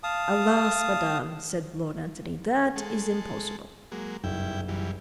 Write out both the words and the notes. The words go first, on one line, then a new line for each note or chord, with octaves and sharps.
"Alas, Madame!" said Lord Antony, "that is impossible."
F5 A5 D#6
G#3 A4
F#3 G#3 A#3
F#1 B1 G2 E4 G5
F#2 E3 G3